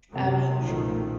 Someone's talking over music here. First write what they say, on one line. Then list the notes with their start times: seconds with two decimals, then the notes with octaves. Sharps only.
I mean,
0.13 F#2 C3 F#3 G#3
0.58 B1 F#2 A#2 D#3 F3 A3